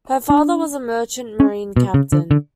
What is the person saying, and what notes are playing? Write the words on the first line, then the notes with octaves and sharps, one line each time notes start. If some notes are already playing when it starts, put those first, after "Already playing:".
Her father was a merchant marine captain.
D4
C#4
B2
C#3
D3
D3